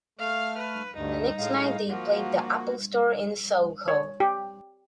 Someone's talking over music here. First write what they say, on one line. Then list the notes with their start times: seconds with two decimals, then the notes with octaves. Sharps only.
The next night they played the Apple Store in SoHo.
0.19 A3 F5 F6
0.58 B4
0.96 D2 G2 D#4
1.38 A2 G#3 F5
1.89 F3 A#3 F#4
3.88 C#5
4.20 G4